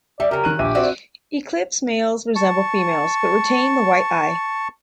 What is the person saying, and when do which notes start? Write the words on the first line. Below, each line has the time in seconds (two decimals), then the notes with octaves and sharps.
Eclipse males resemble females, but retain the white eye.
0.20 G3 D5 E5
0.31 C#3 F#3 G4 A#4
0.44 D#3 F#6 D#7
0.59 A#1 G4 E5 D#7
0.75 C4 F#4 D5 E5
2.36 A5 C#6